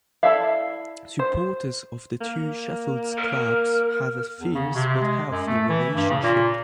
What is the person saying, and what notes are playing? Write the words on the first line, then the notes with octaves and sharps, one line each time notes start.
Supporters of the two Sheffield clubs have a fierce but healthy relationship.
E4 A4 D5 E5 F5
C5
A#3
A#4
E2
C#3
C3
G#3
F#2
A3
E3
G2
C#3
A#2